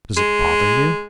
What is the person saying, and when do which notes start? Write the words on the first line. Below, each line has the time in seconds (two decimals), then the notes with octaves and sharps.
"Does it bother you?"
0.17 G#3